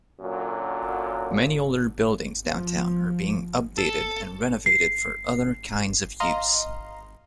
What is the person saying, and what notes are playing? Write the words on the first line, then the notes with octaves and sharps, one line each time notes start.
Many older buildings downtown are being updated and renovated for other kinds of use.
F#2 A#2 D3 F#3
F3
A4
C7
D#5 F5 A#5 C6